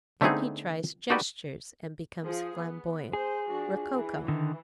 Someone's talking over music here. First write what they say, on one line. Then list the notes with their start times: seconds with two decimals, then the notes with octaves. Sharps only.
Then he tries gestures, and becomes flamboyant, rococo.
0.21 D3 A3 B3 C4 D#4 G#4
1.10 D#4 F#4 G4 A4 B4 D5
2.23 F3 G#4
2.57 B3
3.13 G#4 C5
3.48 F3 D4 F#4
3.92 E3
4.28 D3 D#3